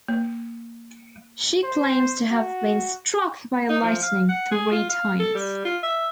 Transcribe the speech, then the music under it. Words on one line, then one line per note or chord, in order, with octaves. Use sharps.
She claims to have been struck by lightning three times.
A#3
C5
F#4
D#4
F3
F5
F#5
G#4
F4
F5
A4
G3
F4
E5